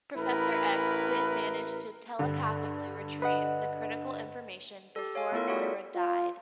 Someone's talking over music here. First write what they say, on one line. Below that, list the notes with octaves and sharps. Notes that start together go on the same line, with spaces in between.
Professor X did manage to telepathically retrieve the critical information before Moira died.
A1 E4 A#4 B4
G2 D3
B4 D#5 F#5
G4 A4
C#5 F5 G#5
A3 B3 E4 F4 A4 A#4
F#4 G#4 A4 C#5 E5 F#5
D5
F4